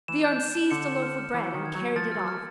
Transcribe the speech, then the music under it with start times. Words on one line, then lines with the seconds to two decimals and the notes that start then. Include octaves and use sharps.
The arm seized a loaf of bread and carried it off.
0.08 E3 E7
0.24 G6
0.40 G6
0.55 E7
0.71 D3 C#7
0.87 C#7
1.02 F6
1.18 F6
1.34 E3 F6
1.49 C#7
1.54 D#3
1.65 G#6
1.75 F#3
1.80 C#7
1.96 F3 A6
2.12 F6
2.17 F#3
2.28 F6